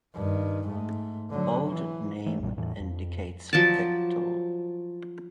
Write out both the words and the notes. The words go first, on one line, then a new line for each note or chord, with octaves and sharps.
Bold name indicates victor.
G2 D#3
G#2 A3
D3 F#3
E3
E3 A3
B1 F#2 A#2 G3
E2 A2 E3
F2
F3 F#3 D5 A5